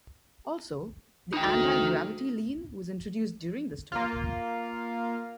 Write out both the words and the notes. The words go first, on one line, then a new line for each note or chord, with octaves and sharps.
Also, the anti-gravity lean was introduced during this tour.
D2 D#4 G5
A#3 F4